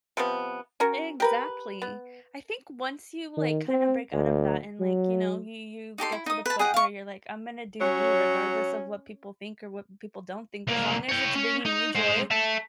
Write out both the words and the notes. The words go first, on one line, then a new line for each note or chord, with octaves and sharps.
Exactly, I think once you like kinda break out of that and like, you know, you you get to the point where you're like, I'm gonna do me regardless of what people think or what people don't think, as long as it's bringing me joy,
C3 F3 B3
C#4 F#4 A#4
G4 A#4 B4
B3
D#3
C4
D2
F#3
D#4 G4 A4 C6
E4
D#4 D#6
B4 A5
G#4 D#5 F#5 G5
F5 C#6
F#3 C#4
C2 A#3
C#5 G5
C#4
D#4
G#3 C5
E5 A5